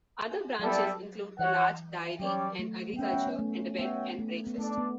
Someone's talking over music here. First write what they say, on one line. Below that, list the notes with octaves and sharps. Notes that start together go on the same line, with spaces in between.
Other branches include a large dairy and agriculture and a bed and breakfast.
F#3 G3 B3 E4 A4 D5
E3 F#4 C#5 F#5
F#3 G3 C#4 G4 D5
A3
B3
C#4 F#4 B4 E5 G5
C#4
B3
A3
B3 F#4 C#5 E5 G5
A3
B3
A3 D4 A4 D5
B3